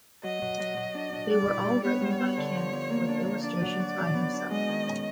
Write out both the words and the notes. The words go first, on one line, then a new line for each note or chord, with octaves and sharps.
They were all written by Caniff, with illustrations by himself.
F#3 D#5
F#3
F#3
F#3
D4
D4
G3 D5
E4
G3
B3 C#5
G3
B3
D3
F3
F3
A#3
D4
A#3
D4 D5
F#3
F#4
F#3
B3
D4
G#3 D#5
D#3
C#4